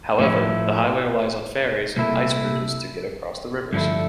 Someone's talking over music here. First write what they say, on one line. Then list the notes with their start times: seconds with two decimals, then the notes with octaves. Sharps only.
However, the highway relies on ferries and ice bridges to get across the rivers.
0.19 A2 F3 A3 E4
1.96 C2 A#2 A3 E4
3.73 G2 D3 F3 A3 E4